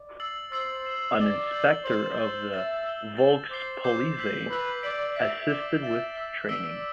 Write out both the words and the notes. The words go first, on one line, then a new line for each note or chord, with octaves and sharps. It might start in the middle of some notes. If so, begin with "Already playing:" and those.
An Inspector of the Volkspolizei assisted with training.
Already playing: D5
E6 A6 C7 F#7
C5 E6 A6 C7 F#7
A6 E7 G7
D5 A6 E7 G7
E6 G6 C7 F#7
C5 E6 G6 C7 F#7
A6 E7 G7
E5 A6 E7 G7
A6 E7 G7
A6 E7 G7
C5 D6 G6 C7 G7
D6 G6 C7 G7
E6 B6 F#7
B4 E6 B6 F#7
D5 G6 B6 D7 F#7
E5 G6 B6 D7 F#7
D5 A6 E7 G7
E5 A6 E7 G7
E5 E6 B6 D7 G7
D5 E6 B6 D7 G7